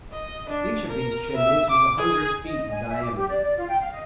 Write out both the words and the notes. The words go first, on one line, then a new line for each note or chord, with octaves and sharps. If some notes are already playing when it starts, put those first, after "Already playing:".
Each of these chimneys was a hundred feet in diameter.
D#5
D4
A#4
E5
D6
G#4
D#5
G#5
E5
D6
G4
D5
D5
F4
G5
F5
D#5